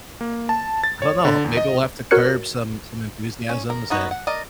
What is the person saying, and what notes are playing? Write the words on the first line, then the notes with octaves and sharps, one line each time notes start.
I don't know, maybe we'll have to curb some some enthusiasms, and
A#3
A5
A6
C#5
D3
E2
D#5
F#4 A#4 C#5 F#6 C#7
C#4
A#4
B3 D#4 F#4
F#5
A#4 D5 D#5